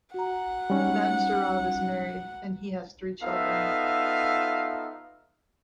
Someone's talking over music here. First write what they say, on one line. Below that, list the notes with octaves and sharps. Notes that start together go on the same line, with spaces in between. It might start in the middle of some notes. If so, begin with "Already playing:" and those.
Mamsurov is married, and he has three children.
F#4 F#5 A#5
G3 C#4 D#4
B3 D#4 F4 A4 E5 F5